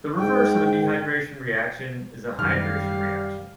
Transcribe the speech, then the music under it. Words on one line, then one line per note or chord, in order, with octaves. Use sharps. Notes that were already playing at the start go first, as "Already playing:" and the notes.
The reverse of a dehydration reaction is a hydration reaction.
G#2 G5
F#2 D#3 G3 F5 F6